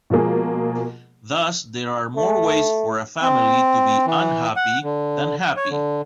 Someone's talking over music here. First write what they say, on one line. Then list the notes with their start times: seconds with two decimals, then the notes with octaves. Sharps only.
Thus there are more ways for a family to be unhappy than happy.
0.10 B2 F3 G#3 A#3 G#4
2.16 A3
3.22 C4
4.07 E3
4.56 F#5
4.84 D3
5.57 C#5
5.70 D3